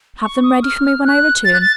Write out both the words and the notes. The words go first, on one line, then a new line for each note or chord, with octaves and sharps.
Have them ready for me when I return.
C#6
D#6
F6
F6
F#6
A6
F#6
A6